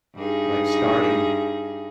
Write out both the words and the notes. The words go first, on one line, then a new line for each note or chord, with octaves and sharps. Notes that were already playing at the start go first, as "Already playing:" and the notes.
like starting
G2 D#4 G#4